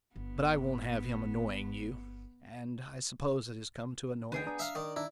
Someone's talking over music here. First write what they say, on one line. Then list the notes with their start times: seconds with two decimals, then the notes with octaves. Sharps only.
"But--I won't have him annoying you. And--I suppose it has come to annoyance?"
0.16 G1 B3
4.32 D2 D#3 B3 G#4 G5
4.46 D4 A#5 D#6
4.60 E5 F5
4.75 D#3 D5
4.96 D#3 D4 E4 A#5